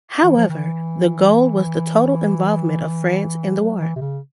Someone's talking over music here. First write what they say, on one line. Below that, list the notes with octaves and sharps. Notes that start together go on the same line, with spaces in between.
However, the goal was the total involvement of France in the war.
E3
F3
E3
F#3
E3
C3
C#3